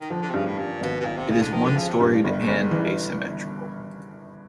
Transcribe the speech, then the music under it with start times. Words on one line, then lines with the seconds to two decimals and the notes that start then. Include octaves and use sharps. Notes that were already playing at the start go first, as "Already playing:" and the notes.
It is one-storied and asymmetrical.
0.01 D#3
0.10 D3 F3
0.22 D3
0.30 C3
0.34 G2 C#3
0.46 A2
0.58 G2 A#2
0.81 G#1 B2
1.00 B2
1.05 B1 A#2
1.17 C3
1.29 B1 C#3
1.41 D3
1.53 D#3 F3
1.65 D3
1.76 C#3 F3
1.89 C3
2.00 G2 B2
2.07 A2
2.12 A#2
2.24 G1
2.32 A2
2.35 G#2
2.48 G1
2.71 E3